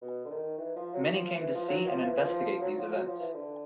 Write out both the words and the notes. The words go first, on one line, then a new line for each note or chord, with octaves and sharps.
Many came to see and investigate these events.
B2
D3
D#3
E3
F3
F#3
F3
E3
F3
F#3
F3
E3
E3
F3
F3
F#3
F3
F#3
F3
E3
D3